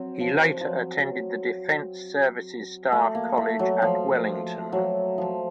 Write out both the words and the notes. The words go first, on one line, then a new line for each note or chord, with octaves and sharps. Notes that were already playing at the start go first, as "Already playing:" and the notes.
He later attended the Defence Services Staff College at Wellington.
Already playing: F#3 C4
F3
F3
F#3
A3
A#3
A3
F#3
F3
F#3
F3